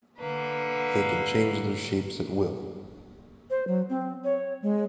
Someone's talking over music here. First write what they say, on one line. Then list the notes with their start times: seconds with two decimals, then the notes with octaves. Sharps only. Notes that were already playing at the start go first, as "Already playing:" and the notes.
They can change their shapes at will.
0.18 D3 A#3 B4
3.50 C5
3.67 F#3
3.89 C4
4.24 C#5
4.62 G#3